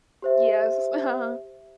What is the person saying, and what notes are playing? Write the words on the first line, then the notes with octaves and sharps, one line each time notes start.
Yes. Uh-huh. Sa
G4 C5 E5